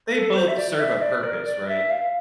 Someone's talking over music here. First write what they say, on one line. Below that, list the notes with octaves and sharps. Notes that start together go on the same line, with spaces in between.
They both serve a purpose, right?
A4
C5
E5
D5
E5
D5
A#4
D5
E5
F5